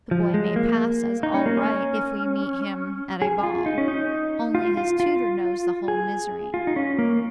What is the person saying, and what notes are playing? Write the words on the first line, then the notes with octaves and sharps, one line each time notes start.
The boy may pass as all right if we meet him at a ball; only his tutor knows the whole misery.
F3
G#3
A#3
D#4
C#4
A#3
C#4
G#4
F4
D#4
C#4
D#4
F4
F4
F4
G#4
F4
D#4
C#4
A#3